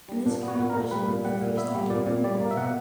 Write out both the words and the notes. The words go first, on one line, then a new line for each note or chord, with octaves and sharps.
In this current version, the three stars were removed.
G3
A#2 D4
B3
F#4
A#2
A#4
A#2
G3 B4
A#2
G3 F#5
A#2
B3 E5
G3
A#2 D5
A#2
G3 D5
A#3
E5
B2 F#5